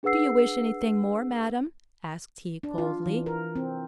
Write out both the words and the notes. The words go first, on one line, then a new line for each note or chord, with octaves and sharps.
"Do you wish anything more, madam?" asked he coldly.
D4 G#4 B4 F#5 E6 C7
D4
F4
E3
A#4
C4